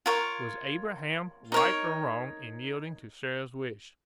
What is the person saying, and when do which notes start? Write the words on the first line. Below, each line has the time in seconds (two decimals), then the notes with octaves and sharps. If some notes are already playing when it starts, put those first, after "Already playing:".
Was Abraham right or wrong in yielding to Sarah's wish?
0.06 F4 A#4 C#5
1.52 D#4 A#4 C#5